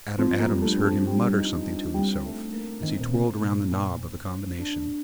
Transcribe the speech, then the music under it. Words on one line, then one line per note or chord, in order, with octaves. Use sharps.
Adam Adams heard him mutter something to himself as he twirled around the knob of the combination.
F3 C4
A#3
G3
A3
D4
C4
A3
G3
D#4
D4
G3 C4
A3
A#3
D#3 C4
A#2
C3
A#2
A#2
D4